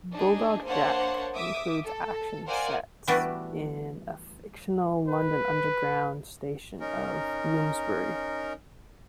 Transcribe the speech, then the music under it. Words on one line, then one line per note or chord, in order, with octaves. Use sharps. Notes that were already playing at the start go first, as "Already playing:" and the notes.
"Bulldog Jack" includes action set in a fictional London Underground station of Bloomsbury.
D4 D#4 G#4
A#3 D4 C5 C#5 F#5 A5
E5 D6 D#6
A4
A#4 C5 D5 F5 F#5 G#5
E3 G3 A3 B3 D4 F#4
B4
C#4 D#4 A#4